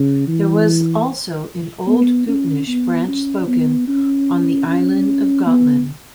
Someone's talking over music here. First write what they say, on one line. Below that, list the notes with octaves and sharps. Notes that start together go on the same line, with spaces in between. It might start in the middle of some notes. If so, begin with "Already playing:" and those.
There was also an Old Gutnish branch spoken on the island of Gotland.
Already playing: C#3
E3
B3
C#4
B3
C#4
B3
C#4
C#4
B3